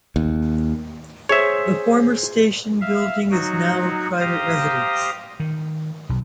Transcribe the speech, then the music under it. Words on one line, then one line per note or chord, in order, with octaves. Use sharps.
The former station building is now a private residence.
D#2
G#4 C5 C#5 E5
E5 F5
F#3 D#4 F#4
G4 C5 F5 A#5 D#6
D#3
B1